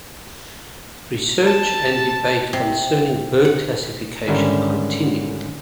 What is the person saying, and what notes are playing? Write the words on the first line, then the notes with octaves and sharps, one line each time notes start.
Research and debate concerning bird classification continue.
A5
C3
F#5
G#2 D3 D#3 G3 C#4 E4